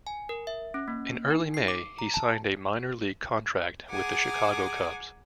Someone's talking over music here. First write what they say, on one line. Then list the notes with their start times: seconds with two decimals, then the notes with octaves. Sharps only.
In early May, he signed a minor league contract with the Chicago Cubs.
0.07 G#5
0.29 A#4
0.47 E5
0.74 C#4
0.88 A#3
1.30 D#4
1.54 C7
1.68 D6
1.99 A#5
2.14 A5
3.89 G#4 F#5 G#5 A#5 D6